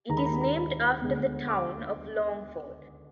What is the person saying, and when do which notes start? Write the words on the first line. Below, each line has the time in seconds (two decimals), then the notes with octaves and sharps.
It is named after the town of Longford.
0.09 D#2 D#3 G#3 A#5
0.17 B5
0.25 A#5
0.33 B5
0.41 A#5
0.56 B5
1.01 D2 D3 G#3 B3
1.48 D6